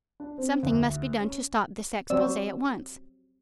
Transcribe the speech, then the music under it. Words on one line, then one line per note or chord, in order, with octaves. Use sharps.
Something must be done to stop this expose at once.
D4
C4
D2
C#4
F#3 C4 D5 E6